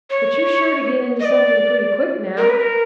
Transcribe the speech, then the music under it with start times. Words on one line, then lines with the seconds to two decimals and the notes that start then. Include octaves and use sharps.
"But you're sure to get into something pretty quick now."
0.10 C#5
1.20 D#5
1.25 D5
2.37 A#4
2.50 B4
2.61 A#4